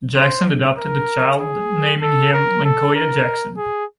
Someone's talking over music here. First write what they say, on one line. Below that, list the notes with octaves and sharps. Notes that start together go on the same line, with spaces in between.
Jackson adopted the child, naming him Lyncoya Jackson.
C5
A#4
G#4
A4
A#4
A4
A#4
G#4